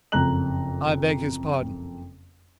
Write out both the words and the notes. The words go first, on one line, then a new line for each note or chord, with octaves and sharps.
I beg his pardon.
F#1 F2 A#5 F#6 F#7